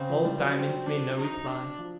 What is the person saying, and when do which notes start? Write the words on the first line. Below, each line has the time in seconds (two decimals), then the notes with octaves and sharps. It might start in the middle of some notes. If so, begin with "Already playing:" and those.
Old Diamond made no reply.
Already playing: C#3 C4
0.10 F3
0.25 G3
0.40 F#3
0.55 C4
0.86 D4
1.18 D#4
1.47 D4
1.78 F3